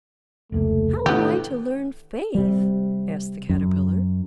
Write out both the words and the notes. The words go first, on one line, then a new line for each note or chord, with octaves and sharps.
"How am I to learn Faith?" asked the Caterpillar.
F1 C#2 A3 A#3
A2 D#3 B3 C#4 D4 G4
C3 G3
F#2